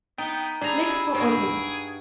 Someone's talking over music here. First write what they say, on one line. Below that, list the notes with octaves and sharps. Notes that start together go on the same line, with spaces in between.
Mix for ointment.
B3 D#4 G5
G3 D4 E4 G#4 A#5
G2 F#4 G#4 D7